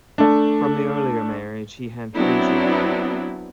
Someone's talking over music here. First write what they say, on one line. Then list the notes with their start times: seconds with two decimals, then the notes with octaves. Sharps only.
From the earlier marriage he had three children.
0.18 A3 D4
2.13 F#3 B3 C4 D4 E4